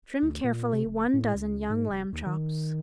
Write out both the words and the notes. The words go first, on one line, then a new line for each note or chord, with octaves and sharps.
Trim carefully one dozen young lamb chops.
D2
A#2
C3
F1
A2
C#2
G#2
F1
D#2
D#3